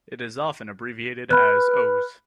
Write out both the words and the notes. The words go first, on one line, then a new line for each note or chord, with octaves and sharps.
It is often abbreviated as Ose.
B4 B5 F6 F#6